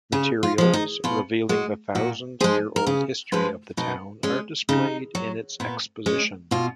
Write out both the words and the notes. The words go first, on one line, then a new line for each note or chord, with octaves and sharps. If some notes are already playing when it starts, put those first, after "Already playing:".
Materials, revealing the thousand-year old history of the town are displayed in its exposition.
C#3 G#4
F4
F3 G#3
D#4
B2 F4
G#3 F#4
A#2 F#4
F3 G#3 G#4
A#4
C#3 G#4
F3 G#3 B4
B2 D#4
G#3 C#4
C#3 D#4
F#3
A#2 B3
G#3 C#4
B2 F4